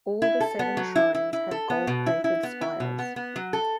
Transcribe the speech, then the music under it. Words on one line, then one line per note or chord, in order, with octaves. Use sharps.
All the seven shrines have gold plated spires.
E4
A4
B3
F#3
E4
E4
E4
A4
B3
B2
E4
E4
B3
E4
B2
B3
B3
F#3
A4